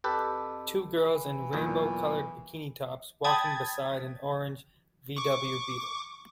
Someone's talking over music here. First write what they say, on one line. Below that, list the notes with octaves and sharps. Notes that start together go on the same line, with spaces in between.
Two girls in rainbow colored bikini tops walking beside an orange VW Beetle.
F2 G4 A4 B4
E3
B1 E2 A#2
G5 A5 B5 D#6 G#6 A6
C#6 D6